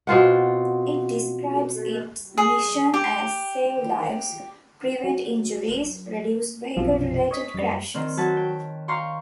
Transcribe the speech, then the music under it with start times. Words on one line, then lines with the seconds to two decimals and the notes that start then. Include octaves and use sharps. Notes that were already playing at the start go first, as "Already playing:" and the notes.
It describes its mission as Save lives, prevent injuries, reduce vehicle-related crashes.
0.07 B2 C4 F4 F#5
2.38 G#4
2.94 G4
5.04 F#3
6.77 B1 F#2 C3 F3
7.31 C#5 D#5 B6
7.54 F#2 G3
7.94 D#3 C4
8.17 F#3 B4 A5
8.37 G5
8.88 F5 G5 A#5 C6 C#6